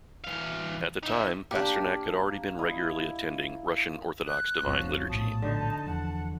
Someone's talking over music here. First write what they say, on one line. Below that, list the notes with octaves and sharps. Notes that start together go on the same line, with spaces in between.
At the time, Pasternak had also been regularly attending Russian Orthodox Divine Liturgy.
E3 F5
D#4 E5
A#3 D4 G4
E4 D#5
F#6
F1 C2 F3 F#3 C4
A#1 A2 B3 A5 D#6
D3 D#4
E2 E3 F3 F#5